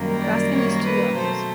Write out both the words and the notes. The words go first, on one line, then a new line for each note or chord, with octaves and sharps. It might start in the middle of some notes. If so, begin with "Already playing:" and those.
Baskin has two daughters.
Already playing: F#2 D#3 G3 A#3
D5
C#5
B4
B2 F#3 A3 C5